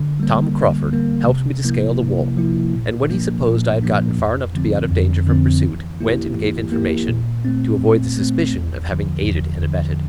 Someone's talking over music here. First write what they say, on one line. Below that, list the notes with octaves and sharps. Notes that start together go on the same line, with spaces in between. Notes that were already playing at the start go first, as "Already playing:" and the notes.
Tom Crauford helped me to scale the wall; and when he supposed I had got far enough to be out of danger from pursuit, went and gave information, to avoid the suspicion of having aided and abetted.
Already playing: D3
G3 A#3
D3
G3 A#3
C3
F3 A#3 E4
C3
F3 A#3 E4
A#2
F3 A#3 D4
A#2
F3 A#3 D4
F2
D3 F3 C4
F2
D3 F3 C4
E3
A#3 E4 G4
E3
A#3 E4 G4
A#2
A3 C4
A#2
A3 C4
E2
D3 F3
E2
D3 F3